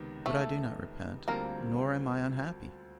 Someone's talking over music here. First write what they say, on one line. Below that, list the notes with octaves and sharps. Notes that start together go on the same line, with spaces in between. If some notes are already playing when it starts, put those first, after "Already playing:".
But I do not repent, nor am I unhappy.
Already playing: C#2 C3 D#3 B3
A3 A4
D2 D3 G3 A#3 C4 F4 A#4